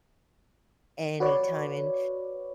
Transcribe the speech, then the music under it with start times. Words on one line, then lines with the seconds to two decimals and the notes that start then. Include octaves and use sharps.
anytime in
1.20 F#4 B4 C#5 D5